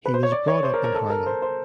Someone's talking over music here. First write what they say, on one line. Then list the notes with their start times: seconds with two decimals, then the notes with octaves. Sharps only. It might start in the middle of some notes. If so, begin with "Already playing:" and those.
He was brought up in Harlem.
0.06 B4
0.14 C5
0.23 C#5
0.32 D5
0.48 C#5
0.63 C5
0.74 A#4
0.84 A#4
0.95 A4
1.10 A#4
1.26 C5
1.42 C5